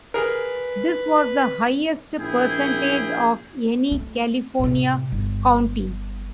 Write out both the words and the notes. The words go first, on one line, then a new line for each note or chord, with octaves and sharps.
This was the highest percentage of any California county.
G#4 A#4 B4
A#1 E4 G#4 G5
A3
A2 C3
G1